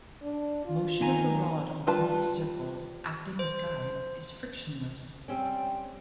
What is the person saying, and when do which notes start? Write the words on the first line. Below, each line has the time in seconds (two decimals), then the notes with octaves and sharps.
Motion of the rod along these circles, acting as guides, is frictionless.
0.23 D4
0.65 F4
1.01 D#3 G#5 A#5
1.87 G3 F4 B4 A5
3.39 C5
5.28 G3 C4 C#4